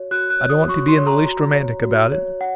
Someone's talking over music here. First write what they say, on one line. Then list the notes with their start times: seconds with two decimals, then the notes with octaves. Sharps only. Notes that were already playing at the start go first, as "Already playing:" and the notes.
I don't want to be in the least romantic about it.
Already playing: F#4 C#5
0.11 F#4 F#6
0.30 F#6
0.40 C#5
0.50 D#6
0.68 F#4 C#6
0.88 C6
0.98 C#5
1.07 A#5
1.26 F#4
1.55 C#5
1.83 F#4
2.12 C#5
2.41 F#5